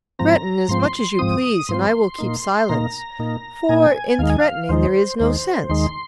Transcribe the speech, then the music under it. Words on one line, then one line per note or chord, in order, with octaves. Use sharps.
Threaten as much as you please, and I will keep silence; for in threatening there is no sense.
G#2 F3 C4 A#5
G#2 F3 C4 C6
G#2 F3 C4 D#6
G#2 F3 C4 C6
A#2 A#3 D#4
A#2 A#3 D#4 A#5
A#2 A#3 D#4
A#2 A#3 D#4 G#5
D#2 D#3 G#3 D#4 F5
G#5
F5
D#2 D#3 G#3 D#4 C5
D#2 D#3 G#3 D#4 C5
D#2 D#3 G#3 D#4 C6